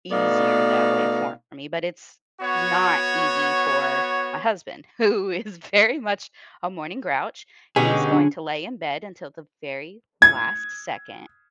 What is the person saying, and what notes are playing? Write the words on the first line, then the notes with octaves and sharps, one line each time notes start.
easier that way for me, but it's not easy for my husband who is very much a morning grouch, he's going to lay in bed until the very last second,
B2 A3 B3 D#4 D5 F5
B3 F#4 C#5
B2 D3 C#4 D#4 G4 G#4
D4
G#6